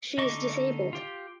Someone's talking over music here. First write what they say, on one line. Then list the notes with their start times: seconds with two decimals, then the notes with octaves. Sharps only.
She is disabled.
0.18 D3 D#4 D#5 C#6 D6
0.93 F4 G4